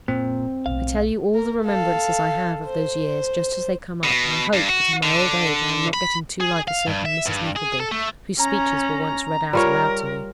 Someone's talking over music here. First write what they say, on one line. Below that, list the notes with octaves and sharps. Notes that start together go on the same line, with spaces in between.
I tell you all the remembrances I have of those years just as they come up, and I hope that, in my old age, I am not getting too like a certain Mrs. Nickleby, whose speeches were once read out aloud to me.
F#2 A#2 F3 C4
B1 A2 F5
A#4
A4 F5
C5
B2
G2
F#4
D3
B5
G#4
F5
G2
E5
G2
G#4
A4
A3
C#4 A#5
G3 F4 A#4 C#5